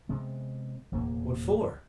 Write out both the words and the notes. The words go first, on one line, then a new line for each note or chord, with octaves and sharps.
"What for?"
C3 G#3 B3
F1 E2 A#2 A#3